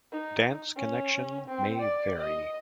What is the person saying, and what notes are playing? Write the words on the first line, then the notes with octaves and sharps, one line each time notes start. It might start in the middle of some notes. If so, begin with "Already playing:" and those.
Dance connection may vary.
D#4
C#4
C4
D5
D#5